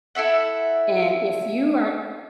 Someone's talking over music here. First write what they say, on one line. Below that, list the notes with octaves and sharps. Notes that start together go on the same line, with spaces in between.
and if you are
E4 A4 E5 F#5